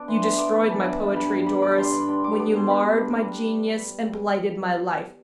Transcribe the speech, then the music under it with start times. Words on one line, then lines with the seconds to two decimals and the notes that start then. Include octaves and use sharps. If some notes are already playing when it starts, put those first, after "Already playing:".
"You destroyed my poetry, Doris, when you marred my genius and blighted my life!"
Already playing: B3 D4 D6
0.08 E3 C6
0.23 E3 C6
0.38 B3 D6
0.54 D4 B5
0.69 E3 A5
0.85 G2 B5
1.00 D3
1.16 G3 B5
1.31 G2
1.46 G2 B5
1.61 D3 D6
1.78 G3 C6
1.92 G2 B5
2.08 D4 C6
2.24 G3 D6
2.40 B3 D6
2.54 B2 C6
2.70 D4 B5
2.85 G3